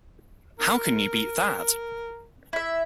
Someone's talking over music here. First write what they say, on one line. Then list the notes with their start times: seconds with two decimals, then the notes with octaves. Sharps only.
How can you beat that?
0.59 A#4
2.53 E4 E5